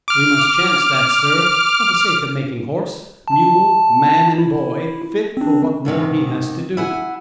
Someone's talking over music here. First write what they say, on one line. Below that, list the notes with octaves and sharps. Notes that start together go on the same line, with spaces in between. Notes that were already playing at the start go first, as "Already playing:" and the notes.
"We must chance that, sir, for the sake of making horse, mule, man and boy fit for what more he has to do."
D6 F6
A5
E4
C4 D4
D#2 G#2 C3 D#3
E4 F#5 G#5